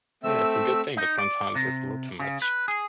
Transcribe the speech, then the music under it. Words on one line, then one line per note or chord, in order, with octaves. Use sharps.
Yeah, it's a good thing, but sometimes it's a little too much.
A3 C4 E5 E6
D#4
D5
C3
C#3
B4
G#4